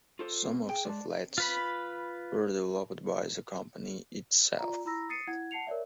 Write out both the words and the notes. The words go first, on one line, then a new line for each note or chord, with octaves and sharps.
Some of the flats were developed by the Company itself.
F4 A4 C5
G#3 B3 C4
G#4 G5
G#3 D5 A5
F4 B4 B5
F4 D5 A#5
E4 A#5 B5 E6 A#6
D#6 A6 C7 C#7 D#7
E4 F#5 G#6
F#5 A5 C7 C#7 F7
A#4 C#5 D5 E5